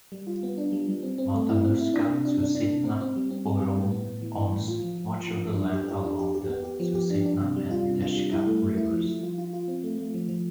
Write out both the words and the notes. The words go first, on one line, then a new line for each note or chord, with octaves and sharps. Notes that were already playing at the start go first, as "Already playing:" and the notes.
Matanuska-Susitna Borough owns much of the land along the Susitna and Deshka Rivers.
G3
F4
B3
D4
G3
G3
C4
C4
A3
E4
C4
E4
D4
C3
D4
D4
D4
C3
C4
C4
G3
C4
G3
G3
A2
B3
A2
E3
E3
A2
F4
F3
F3
F3
F3
F3
D4
G4
G4
D4
G4
G4
B3
G4
F3
G4
D4
D4
C3
G3
F4
C3
F4
G3
E4
A3
A3
E4
F3
F3
F4
F4
F4
C4
A3
A3
F3
F3